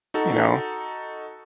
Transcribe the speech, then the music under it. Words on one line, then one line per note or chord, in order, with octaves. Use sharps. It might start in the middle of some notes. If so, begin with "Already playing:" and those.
you know.
D#4 F#4 A4